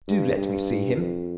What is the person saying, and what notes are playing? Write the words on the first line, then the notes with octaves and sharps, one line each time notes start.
Do let me see him.
G2
G2
F2